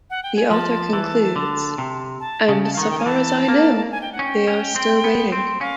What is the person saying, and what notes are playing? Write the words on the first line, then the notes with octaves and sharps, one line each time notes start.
The author concludes And so far as I know, they are still waiting.
F#5
G5
G#5
F3 A5
E3
D3
C3
A5
C#3
A5
F5
D#3 F#5
G5
G#5
E3 A5
A#3
G#5
G5
F#5
C#4 G5
C#4
C4
B3
C4
C#4 F5